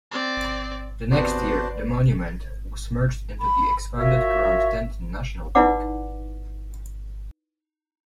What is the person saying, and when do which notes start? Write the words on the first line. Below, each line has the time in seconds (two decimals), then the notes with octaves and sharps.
The next year the monument was merged into the expanded Grand Teton National Park.
0.12 C4 D5
1.11 E2 C3 C4 D4 F#4 B4 C5 D5
3.40 B5
3.98 F4 F#4 A#4 C#5 E5
5.55 D#4 E4 B4 D5 F#5 D6